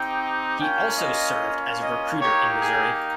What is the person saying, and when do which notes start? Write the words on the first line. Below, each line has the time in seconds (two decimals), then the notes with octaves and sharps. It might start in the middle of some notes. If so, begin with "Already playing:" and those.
He also served as a recruiter in Missouri.
Already playing: C4 D#4 G4 G5
0.58 A#3 C#4 F4 G5
0.99 D#5
1.81 D#5
2.20 A#3 D#4 G4 C#5
2.61 G#4